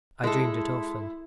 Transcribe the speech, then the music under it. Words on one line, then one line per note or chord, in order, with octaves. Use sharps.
I dreamed it often.
G#3 E4 A4